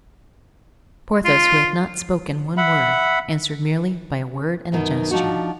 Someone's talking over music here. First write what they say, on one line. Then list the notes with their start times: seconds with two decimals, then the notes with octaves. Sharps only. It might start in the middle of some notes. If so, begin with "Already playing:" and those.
Porthos, who had not spoken one word, answered merely by a word and a gesture.
1.25 F4
2.57 E5 F#5 B5
4.72 F#2 B2 D#3
5.11 F3 D4 D#4 F#4